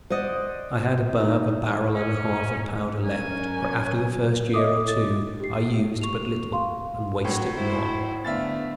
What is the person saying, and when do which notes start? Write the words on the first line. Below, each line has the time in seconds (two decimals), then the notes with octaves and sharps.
I had above a barrel and a half of powder left; for after the first year or two I used but little, and wasted none.
0.10 C5 D5 D#5 F#5
1.20 D#4
1.95 C#4 G#4
3.04 F#3 C#4 A#4 G#5
4.54 C#5 D#5 E5 D6 D#6
4.69 D6 D#6
4.88 A6
5.40 G4 C7
6.01 C#6 F7
6.53 F5 C6
7.24 A2 F#3
7.55 G#2 E4 C5
8.24 D3 A3 B3 E5 F5 A6